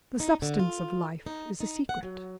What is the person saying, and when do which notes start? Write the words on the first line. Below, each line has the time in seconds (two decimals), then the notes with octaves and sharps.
The substance of life is a secret.
0.20 D#4
0.42 D3
0.59 F4
1.26 D#4
1.60 D#4
1.89 F#5
2.03 F#3